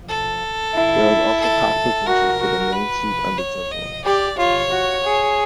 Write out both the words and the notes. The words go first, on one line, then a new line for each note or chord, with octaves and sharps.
There are also cockpit winches for the mainsheet and the genoa.
A4
E4
A4
F#4 A#4
F#4
B4
C#5
D#5
G4 D5
F4 C#5
F#4
G#4